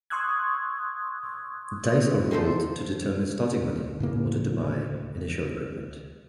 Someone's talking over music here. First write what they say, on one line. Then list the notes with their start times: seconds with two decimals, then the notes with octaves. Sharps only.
Dice are rolled to determine starting money in order to buy initial equipment.
0.10 C6 C#6 D#6 E6 F#6 G#6
2.31 D#3 F3 A4 C5
4.00 A2 C#3 A#3